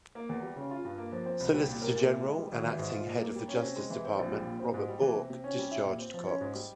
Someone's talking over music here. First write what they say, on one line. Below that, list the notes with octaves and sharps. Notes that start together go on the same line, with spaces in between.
Solicitor General and acting head of the Justice Department Robert Bork discharged Cox.
A#3
E2
G3
C#3
F4
G2
A#3
F3
C4
C2
G3
A#2
A#4
A#2
E4
G#3
G3
G#1
E3
G#2
F4
A#2
A#3
G3
C#4
C3
G#3
E3
C4
A#1
G3
A#2
C4
G#2
G3
E3
C3
C3
C#4
G3
E4
A#2
C4
F3
C#4
G#2
G3